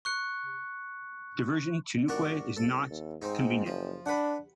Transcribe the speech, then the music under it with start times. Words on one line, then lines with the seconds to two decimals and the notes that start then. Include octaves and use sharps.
Diversion to Newquay is not convenient.
0.05 C#6 F#6 C#7
2.08 G1 D4 F#4 A#4
2.57 C2 A4
2.90 D#2
3.22 G#2 C4 D#4
3.66 F#1 F3
4.06 D4 B4 F#5